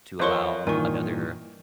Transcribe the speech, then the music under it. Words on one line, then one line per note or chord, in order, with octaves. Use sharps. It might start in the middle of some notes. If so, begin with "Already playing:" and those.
to allow another,
F2 A#4 C5 C#5 D#5 C#6
G2 A#2 D#3 E3 G#5 C#6